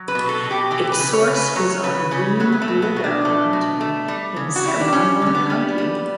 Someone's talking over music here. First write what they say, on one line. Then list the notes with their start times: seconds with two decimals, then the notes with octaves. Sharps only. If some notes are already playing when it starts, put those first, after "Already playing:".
Its source is on Green Lookout Mountain in Skamania County.
Already playing: F#3
0.08 B4
0.15 B2
0.29 A4
0.44 B2
0.51 G4
0.71 E3 G4
0.92 B4
0.99 C#3
1.13 C#5
1.27 C#3
1.34 B4
1.56 F#3 C#5
1.83 C#3 B4
2.11 C#3 C#4
2.40 F#3 B3
2.52 B3
2.62 A3
2.68 B2
2.82 B3
2.96 B2
3.04 D4
3.25 A3
3.53 B2
3.81 A3
4.08 G3
4.36 C#3
4.56 F#4
4.66 G3 E4
4.81 D4
4.92 G3 C#4
5.22 D3 C#4
5.35 B3
5.50 G3
5.78 G3